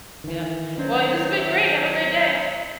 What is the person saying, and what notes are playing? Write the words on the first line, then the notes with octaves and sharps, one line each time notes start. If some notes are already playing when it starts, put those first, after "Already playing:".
Yep. Well, it this been great, have a great day.
D#3 E3
D#3 F#3 C#4 D4 C5
E5